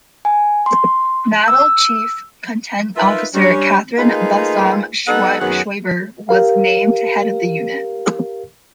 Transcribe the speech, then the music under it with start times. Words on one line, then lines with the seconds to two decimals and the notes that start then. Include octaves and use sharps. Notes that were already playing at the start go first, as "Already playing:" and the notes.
Mattel chief content officer Catherine Balsam-Schwaber was named to head the unit.
0.25 G#5
0.66 C6
1.48 E6
2.97 D#4 F4 A#4 B4 E5
3.34 G3 C#4 D4
3.97 A3 A#3 D#4 F4 G#4 B4
5.07 G3 B3 D#4 A4 F#5
5.40 F#2 D#3 F#3 B3 G#4 F#5
6.29 G4 A#4 F5